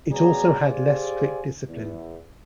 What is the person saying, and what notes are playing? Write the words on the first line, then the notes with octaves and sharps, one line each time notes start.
It also had less strict discipline.
F#3 B3 G#4 D5 A#5
G4 G#4 C5 D5 F5 G#5
E2